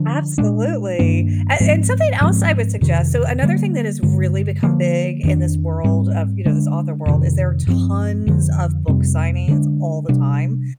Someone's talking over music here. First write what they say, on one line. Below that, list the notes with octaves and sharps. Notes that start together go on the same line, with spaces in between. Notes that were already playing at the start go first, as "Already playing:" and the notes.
absolutely. A And something else I would suggest, so another thing that has really become big in this world of, you know, this author world is there are tons of book signings all the time,
Already playing: D3 F3 D4
A#2 G#3 D4
G2 D#3 A#3 D4
G#2 F3 G#3 C4
G#2 F3 G#3 C4
F2 C3 D#3
D3 G3 A#3
G2 D3 G#3
D3 F3 A#3
F2 D#3 A#3 D4
G#2 G3 C4
D3 G#3 D4
F2 C3 D#3
G2 F3 C4
F2 D3 F3
F2 C3 G3 C4
D3 G#3 D4
C3 G3 D4